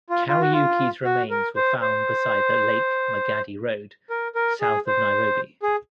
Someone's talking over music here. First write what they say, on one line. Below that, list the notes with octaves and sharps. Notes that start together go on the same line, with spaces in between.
'Kariuki's remains were found beside the Lake Magadi Road, south of Nairobi.
F4
F4
F#4
F4
F#4
A#4
C5
C5
A#4
A#4
G#4
C5
G#4